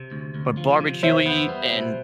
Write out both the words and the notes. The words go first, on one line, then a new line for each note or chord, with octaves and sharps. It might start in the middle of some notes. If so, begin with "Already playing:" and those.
but barbecue-y, and,
Already playing: C3
D2
D2
F3
C3
E2 C5 E5
B3
G3
B2